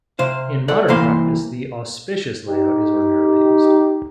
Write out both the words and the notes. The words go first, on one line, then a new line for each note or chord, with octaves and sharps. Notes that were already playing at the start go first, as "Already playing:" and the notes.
In modern practice, the "auspicious" layout is ordinarily used.
C3 C5 F5
A4 D5 F#5
C2 E3 A#3 C5 F5 C6
D#4 G4